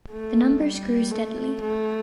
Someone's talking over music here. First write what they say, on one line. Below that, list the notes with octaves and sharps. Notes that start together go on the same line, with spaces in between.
The numbers grew steadily.
A3
G3
A3
A3